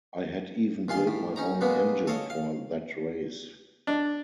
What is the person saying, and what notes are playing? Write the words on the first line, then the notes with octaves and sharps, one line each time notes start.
I had even built my own engine for that race.
D#2 F4 G#4 F5 C6
A2
C#4 D#4 A#5
B2 G#3 A#3 B3
A4 C#5 D#5 F5
F5
D4